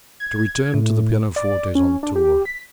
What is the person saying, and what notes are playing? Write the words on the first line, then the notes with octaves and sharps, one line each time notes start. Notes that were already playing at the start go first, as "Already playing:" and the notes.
But to return to the pianofortes on tour.
G#6
A2
D5
C#4
D4
G4
B6